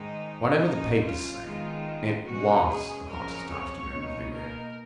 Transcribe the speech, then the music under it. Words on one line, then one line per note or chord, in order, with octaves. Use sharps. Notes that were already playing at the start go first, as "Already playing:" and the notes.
Whatever the papers say, it was the hottest afternoon of the year.
Already playing: G#2 D#3 G#3 D#4
C#3 F#3 C#4 D#4
F4
D#3 G#3 B3 D#4
B2 G#3 C#4 F#4
G#4
F2 C#3 F#3 C#4 A#4
C#5
B2 A#3 D#4
A#4